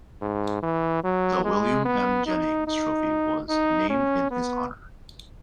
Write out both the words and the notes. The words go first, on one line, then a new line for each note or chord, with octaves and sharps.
The William M. Jennings Trophy was named in his honor.
G#2
E3
F#3
G#3
B3
D#4
D#4
D#4
C#4
B3